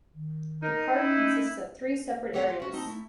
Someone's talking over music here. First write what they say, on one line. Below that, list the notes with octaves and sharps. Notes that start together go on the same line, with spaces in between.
The Park consists of three separate areas.
D#3
D#4 A#4
C#4 E4
A3 C4 G4 A4 C#5 F#5
F4 G4
C#4 F#4
C4 D#4 A5
A3 E4